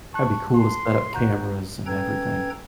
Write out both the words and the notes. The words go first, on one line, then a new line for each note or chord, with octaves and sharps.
That'd be cool to set up cameras and everything.
A5 C#6 F#6
C6
F#4 A#5 G6
C#4 A4 B4 G5 A#5 G#6